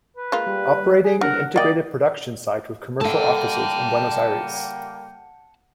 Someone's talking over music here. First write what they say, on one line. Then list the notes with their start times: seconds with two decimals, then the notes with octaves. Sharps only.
Operating an integrated production site with commercial offices in Buenos Aires.
0.17 B4
0.32 G#3 A#3 F4
0.47 G3
1.04 G#4
1.21 D4 A#4 F#5
1.56 A#3 D5 D#5 G5
3.01 G3 A#3 A4 E5 F#5 G5 A5